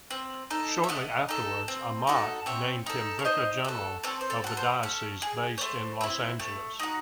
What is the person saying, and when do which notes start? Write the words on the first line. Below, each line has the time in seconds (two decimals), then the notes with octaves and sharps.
Shortly afterwards, Amat named him Vicar General of the diocese, based in Los Angeles.
0.11 C4
0.50 D#4 A4
0.84 E5
0.89 A3 D#5 F#5
1.29 D#4 A4
1.68 C4
2.07 D#4 F#4 A4
2.46 C4 C#5 E5
2.86 D#4 A4
3.19 C#5
3.25 D#4 C5 D#5
3.65 F#4 A4
4.03 C4 A4 C#5
4.21 C5
4.30 A4 C#5
4.44 F#4 A4
4.57 C5
4.83 C#4 A4
5.22 G#4
5.58 C#5
5.61 A3 C5
6.01 C4 E4
6.40 A3
6.79 D#4 F#4